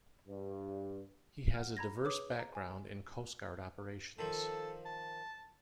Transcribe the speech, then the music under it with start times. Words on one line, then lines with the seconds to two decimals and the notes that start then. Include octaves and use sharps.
He has a diverse background in Coast Guard operations.
0.28 G2
1.54 F#5 F6
1.77 A#5 B5 G#6 A#6
2.04 G#4 B4 C#5 D6 D#6
2.39 A#5
2.55 G#5
4.18 D#3 F3 A4
4.86 A5